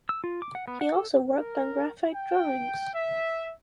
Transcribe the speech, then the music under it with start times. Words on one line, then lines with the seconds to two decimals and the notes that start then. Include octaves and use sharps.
He also worked on graphite drawings.
0.09 E6
0.24 F4
0.42 D6
0.55 F#5
0.68 B3
0.81 F#5
0.94 A4
1.27 A#4
2.13 G5
2.94 E5